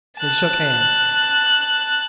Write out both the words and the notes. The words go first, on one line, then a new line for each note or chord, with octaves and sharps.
They shook hands.
A5 F#6